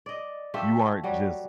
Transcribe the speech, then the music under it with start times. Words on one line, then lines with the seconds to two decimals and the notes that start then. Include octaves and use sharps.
you aren't just,
0.06 D5 D#5
0.54 A3 F4 G4 E5
1.03 F#3 G3